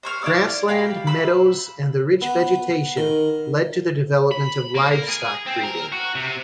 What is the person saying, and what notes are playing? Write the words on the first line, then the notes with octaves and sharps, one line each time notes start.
Grassland, meadows and the rich vegetation led to the development of livestock breeding.
C5 C#6 F6
E4 D5 F5
G4 F5 B5
B5 E6
B3
D#3
B5
A#3
A#4
G#4
C4
A#4
F#4
C3